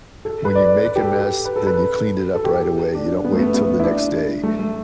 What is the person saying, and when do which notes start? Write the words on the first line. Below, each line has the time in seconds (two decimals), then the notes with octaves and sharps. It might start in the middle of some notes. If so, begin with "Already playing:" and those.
when you make a mess, then you cleaned it up right away, you don't wait until the next day,
0.25 A4
0.45 B4
0.55 D5
0.85 B4
0.96 G4
1.00 A4
1.45 B4
1.56 A4
1.67 B4
2.35 A4
2.44 G4
2.54 G4
2.95 D4
3.24 B3
3.32 A3
3.40 B3
3.54 B3
3.79 E4
3.84 D4
4.43 A3
4.59 A3